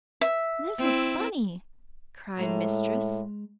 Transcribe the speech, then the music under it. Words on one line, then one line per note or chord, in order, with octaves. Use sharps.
"This is funny!" cried Mistress.
E5
C4 E4
A2 G#3 A#5